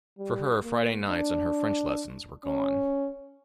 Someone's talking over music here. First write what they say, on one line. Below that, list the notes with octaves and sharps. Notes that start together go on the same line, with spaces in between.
For her Friday nights and her French lessons were gone.
G3
A#3
D4
C#4